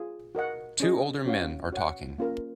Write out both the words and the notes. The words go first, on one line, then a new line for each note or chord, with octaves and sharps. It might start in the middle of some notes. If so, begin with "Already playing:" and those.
Two older men are talking.
Already playing: F4 G#4
F#4 A#4 D#5 F#5
C#4 G#4 D#5
C#4 F#4 C#5 F5
F#4 C#5 F#5
A#3 C#4 F4 A#4